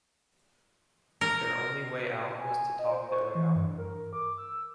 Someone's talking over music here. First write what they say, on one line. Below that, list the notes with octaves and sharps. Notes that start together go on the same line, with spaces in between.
Their only way out was to talk their way out.
A#4
G#5
D#5
C5
C#6
E3
G2
A#4
D6
E6